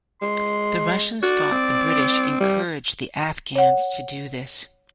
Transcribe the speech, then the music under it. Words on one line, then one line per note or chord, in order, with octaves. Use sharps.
The Russians thought the British encouraged the Afghans to do this.
G#3 C6
F#4 D5
C4
G3
C#5 F#5